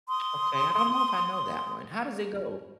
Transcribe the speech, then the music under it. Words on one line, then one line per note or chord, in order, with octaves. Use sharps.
Okay, I don't know if I know that one. How does it go?
C6 D#6